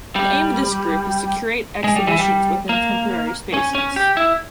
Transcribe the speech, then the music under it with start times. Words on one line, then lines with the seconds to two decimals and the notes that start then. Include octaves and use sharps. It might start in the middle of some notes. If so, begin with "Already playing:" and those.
The aim of this group is to curate exhibitions within temporary spaces.
0.16 G3
1.84 G#3
1.96 G3
2.07 E3
2.19 G3
2.69 A#3
3.54 C#4
3.75 C#4
3.96 G4
4.17 E4